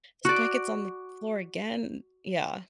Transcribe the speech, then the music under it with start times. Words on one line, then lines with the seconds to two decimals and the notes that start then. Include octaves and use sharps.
"This blanket's on the floor again?" Yeah.
0.25 F#4 D5